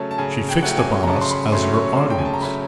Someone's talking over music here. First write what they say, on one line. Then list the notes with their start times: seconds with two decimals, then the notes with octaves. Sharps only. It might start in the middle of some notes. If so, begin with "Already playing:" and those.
She fixed upon us as her audience.
Already playing: C#3 F#3 A3 C#4 A5
0.11 A5
0.18 C#3 G#5
0.49 G5
0.63 F#3 A3 C#4 F#5
0.71 G5
0.78 G#5
1.03 A#5
1.07 C#3 A5
1.21 C6
1.31 B5
1.52 F#3 A3 C#4 C6
1.74 C#6
1.96 C#3 C6
2.10 G5
2.18 G#5
2.25 A5
2.33 A#5
2.41 F#3 A3 C#4 B5